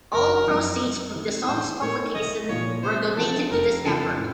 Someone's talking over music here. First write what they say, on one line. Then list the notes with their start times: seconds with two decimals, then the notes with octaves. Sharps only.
All proceeds from the song's publication were donated to this effort.
0.12 F#1 A#4
0.46 F#2 F3
0.80 C3
1.14 D#3 A3 C4 F#4
1.48 A1 C5
1.81 A2 A3 D#4 A#4 C#5
2.15 C2 D#5
2.49 A#2 F3 A#3 C#5
2.83 C3 C5
3.16 F3 C4 A4
3.51 F1 A#4
3.84 F2 C#3 F3 C4 A4
4.18 A2